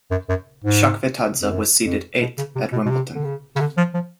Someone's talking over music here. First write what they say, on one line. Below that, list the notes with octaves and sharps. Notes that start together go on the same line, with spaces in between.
Chakvetadze was seeded eighth at Wimbledon.
F#2
F#2
G#2
F2
F#2
F2
B2
C#3
C3
B2
B2
C3
D3
C#3
C#3
D3
F3
F3